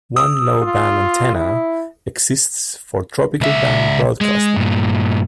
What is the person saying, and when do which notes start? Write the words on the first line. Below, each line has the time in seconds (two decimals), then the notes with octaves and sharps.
One Low Band antenna exists for Tropical Band broadcasting.
0.16 D#6 E6
0.63 F4
1.35 E4
3.41 C#2 E5
4.21 G#3
4.56 G2 A#2